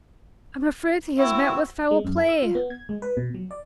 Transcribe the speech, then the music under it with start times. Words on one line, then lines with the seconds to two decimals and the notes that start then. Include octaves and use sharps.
I'm afraid he has met with foul play.
1.18 C4 E4 F#4
1.91 G#3
2.05 F#2
2.17 A4
2.29 E6
2.42 F4
2.55 B3
2.70 G#6
2.89 G#3
3.02 B4
3.17 B2
3.34 F#3
3.51 D5